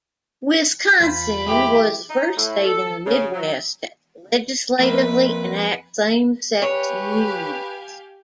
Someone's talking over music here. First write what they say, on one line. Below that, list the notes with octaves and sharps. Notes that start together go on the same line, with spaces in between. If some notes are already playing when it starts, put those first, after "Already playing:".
Wisconsin was the first state in the Midwest to legislatively enact same-sex unions.
E2 F4 C5 B5
E3 G#3 G4
D#4
A2
A4
C#3
F#3
F2 A#3 A#4 B4
G4 B4 C#5 F5 G#5